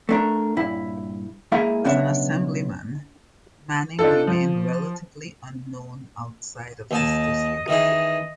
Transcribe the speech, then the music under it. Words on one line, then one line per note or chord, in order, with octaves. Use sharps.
As an Assemblyman, Manning remained relatively unknown outside of his district.
A3 D4 A#4
G2 A#2 E4
G#3 A#3 E4 G#4 E5 F5
B1 C#3 B3 D4 E5
D4 D#4 F4 A4
F3
D#2 D#5 G#5 A5
D#3 E3 G#4 D#5